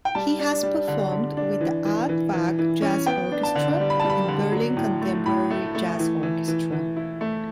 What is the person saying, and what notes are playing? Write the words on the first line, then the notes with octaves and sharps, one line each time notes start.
He has performed with the Aardvark Jazz Orchestra and Berlin Contemporary Jazz Orchestra.
G5
G3 A5
D4
G3
D3
D3
D4
E3
E3
E3
E3
E3
C#4
B3 G5
D4
A5
D3
G3
B5
A5
G3
B5
D3
F#3
A2
A3
A2 B5
A3
A3
E3
E3
E3
E3
E4
A3